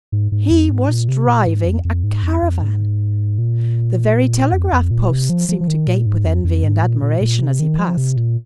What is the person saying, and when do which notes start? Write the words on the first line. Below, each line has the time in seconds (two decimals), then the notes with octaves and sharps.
He was driving a caravan. The very telegraph posts seemed to gape with envy and admiration as he passed.
0.12 G#2
0.32 G#2
0.51 F2
0.70 G#2
0.89 A#2
1.08 C3
1.27 A#2
1.47 G#2
1.65 F2
1.85 F2
2.04 G#2
2.23 F2
2.42 F2
2.62 G#2
3.38 A#2
4.53 F2
4.72 F2
4.91 A#2
5.10 C3
5.30 F3
5.49 F3
5.61 F3
5.68 D#3
5.87 A#2
6.06 G#2
6.25 F2
6.44 F2
6.64 G#2
6.83 A#2
7.02 A#2
7.21 A#2
7.40 C3
7.60 D#3
7.78 F3
7.97 C3
8.17 A#2